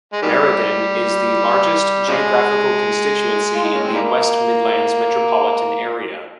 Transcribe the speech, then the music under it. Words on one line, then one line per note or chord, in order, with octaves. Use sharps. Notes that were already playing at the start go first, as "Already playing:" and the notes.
Meriden is the largest geographical constituency in the West Midlands metropolitan area.
G#3
D#3 G3
C#3 F3 G#3
F4
D#4
C#4
C4
D#3 G3 A#3